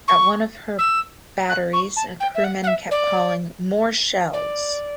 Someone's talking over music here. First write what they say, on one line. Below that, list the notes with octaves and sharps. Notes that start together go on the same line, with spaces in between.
At one of her batteries, a crewman kept calling More shells!
C#6
E6
F#6
C#6
A5
G5
E5
F#5
F#5
E5
D5
D5